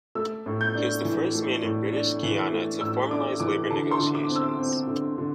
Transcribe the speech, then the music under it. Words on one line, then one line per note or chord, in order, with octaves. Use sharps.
He was the first man in British Guiana to formalize labour negotiations.
A3 E6
A2
G6
D4
E3
A3
A2
D4
E3
A3
A2 E6
D4 D6
E3 D6
D3 A5
C6
D3
D6
C4
E6
C4
D3
D3